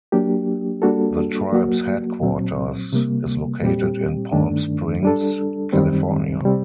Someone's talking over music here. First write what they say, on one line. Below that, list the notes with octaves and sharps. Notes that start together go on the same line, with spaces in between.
The tribe's headquarters is located in Palm Springs, California.
F#3 A#3 D4 G4
G3 A#3 D4 F#4 A4
F#3 A#3 F#4
A#2 F#3 C4
C3 G3 A#3
A#2 G3 C4 G4
G2 D#3 A3 D4
G3 D4 A4
F#2 D#3 G3 C4
C3 G3 C4